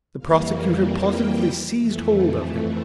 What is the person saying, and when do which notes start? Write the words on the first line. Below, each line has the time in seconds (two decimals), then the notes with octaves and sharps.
The prosecutor positively seized hold of him.
0.19 F2 E3 G3 A#3 F5
0.98 G5
1.76 F2 E3 A3